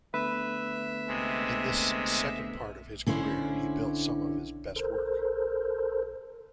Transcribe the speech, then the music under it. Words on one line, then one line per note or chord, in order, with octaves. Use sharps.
In this second part of his career he built some of his best work.
D3 A3 B3 B4 E5
C3 G#3
D3 C#4 E4 C5
A4 A#4 C5